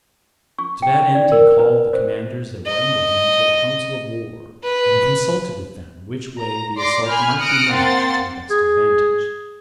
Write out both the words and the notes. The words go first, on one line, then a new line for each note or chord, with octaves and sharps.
To that end he called the commanders that were under him to a council of war, and consulted with them which way the assault might be managed to the best advantage.
C#6
G5
D5
A#4
B4
C5
D#5
B4
A#5
D5 C6 D6 A#6 C7
G#5 B5 F6 G6
D#6 F6 F#6 A#6 C#7 D7
A#3 C4 F#5 G5 C6 A6
G#4